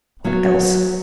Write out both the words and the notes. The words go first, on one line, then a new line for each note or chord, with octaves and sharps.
What else?
F#3 B3